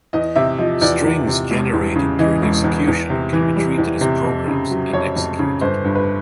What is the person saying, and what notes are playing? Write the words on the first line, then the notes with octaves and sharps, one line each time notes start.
Strings generated during execution can be treated as programs and executed.
E2 D#5
C3 E5
F3 D#5
E2 D5
E2
C3
E1
E2
C#3
E3 D#5
E1
E2
E2
C3
E3
G3
E2
C3
F2
C#3
F#3
F2 C#5
F2
C#3
G1 C5
G2
B4